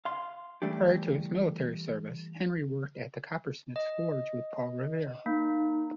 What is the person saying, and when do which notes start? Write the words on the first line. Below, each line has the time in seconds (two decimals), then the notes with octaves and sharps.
Prior to his military service, Henry worked at the copper-smith's forge with Paul Revere.
0.05 F5 C6
0.62 E3 G3 A3 D4 G4
3.76 D#5
5.26 A#3 D#4